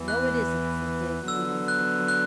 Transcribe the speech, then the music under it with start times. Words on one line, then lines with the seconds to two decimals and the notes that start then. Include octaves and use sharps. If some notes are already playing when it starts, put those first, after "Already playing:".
'No, it isn't,' said Dick, wheeling quickly.
Already playing: E2 E3 B3
0.08 F#6
1.28 D3 F#3 B3 E6
1.68 F#6
2.08 F#6